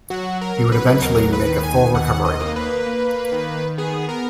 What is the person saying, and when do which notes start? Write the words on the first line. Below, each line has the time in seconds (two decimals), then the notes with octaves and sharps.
He would eventually make a full recovery.
0.10 F#3 F#4
0.41 A#4
0.57 F#3
0.72 B4
1.02 D#2 A#4
1.33 B4
1.48 D#3
1.63 G#5
1.94 D#2 F#5
2.25 D#5
2.40 A#3
2.56 B4
2.86 A#3
3.32 D#3
3.78 B3 G#4
4.09 A#4